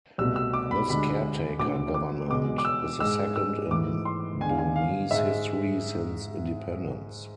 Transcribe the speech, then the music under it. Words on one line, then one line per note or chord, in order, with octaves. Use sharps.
This caretaker government is the second in Burmese history since independence.
C2 B2 A3 E6
E6
D6
B5
D2 D3 G#3 B5
D2 D3 A3 D6
D6
E2 B2 G#3 D6
D6
E6
G#2 G#3 E6
E6
G#2 E3 A3 D6
C6
E2 D3 G#3 G#5
F5
G#5
F5
G#2 G#3 E5